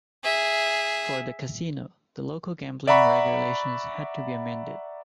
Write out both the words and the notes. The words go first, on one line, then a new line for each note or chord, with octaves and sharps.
For the casino, the local gambling regulations had to be amended.
G#4 E5
D5 E5 F#5 A#5 B5 C#6